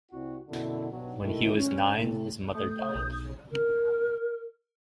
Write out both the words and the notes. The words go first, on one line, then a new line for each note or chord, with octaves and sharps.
When he was nine, his mother died.
C2 F#4
F#2 B2 D3 E4
G2 B2 F#3 D4
D#3 G#3 A3 E4
C#4
A2 C3
A3 D#6 G6
B1
A#4